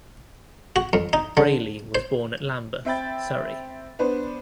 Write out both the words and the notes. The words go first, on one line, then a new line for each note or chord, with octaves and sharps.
Brayley was born at Lambeth, Surrey.
F#4
F2
D#4
D3
C5
C4 E5 G5 B5 A6
B3 D4 B4 C5